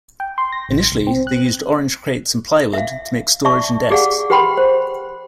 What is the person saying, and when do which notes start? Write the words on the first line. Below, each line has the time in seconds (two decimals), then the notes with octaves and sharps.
Initially, they used orange crates and plywood to make storage and desks.
0.20 G5
0.38 C6
0.52 A#6
0.69 A1
0.92 C2
1.07 C4
1.27 F#6
2.73 E5 F5
3.45 D5 E5 A5 C#6
3.90 G4 G#4 D5 F5 F#5
4.30 G4 B4 F#5 G5 B5 C6
4.57 C5